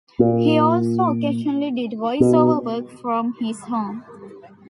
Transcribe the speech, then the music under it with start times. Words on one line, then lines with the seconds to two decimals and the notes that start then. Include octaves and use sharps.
He also occasionally did voice-over work from his home.
0.19 A#2
2.20 B2